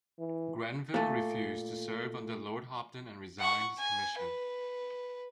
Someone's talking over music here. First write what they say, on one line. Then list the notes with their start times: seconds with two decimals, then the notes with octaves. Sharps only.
Grenville refused to serve under Lord Hopton and resigned his commission.
0.19 E3
0.94 A#2 A3
3.40 F#5 C#6
3.78 G#5
4.18 B4